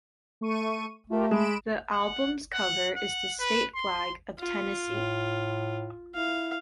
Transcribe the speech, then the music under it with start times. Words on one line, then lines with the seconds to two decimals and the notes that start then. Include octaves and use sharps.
The album's cover is the state flag of Tennessee.
0.41 A3 C#6 D#7
1.10 A3 F4 G4 A#4
1.31 G#3 B5 D7 E7
1.92 F#5
2.53 F#5
2.96 F#5
3.40 B4
3.75 C6
4.40 F4
4.86 A2
6.14 E4 F5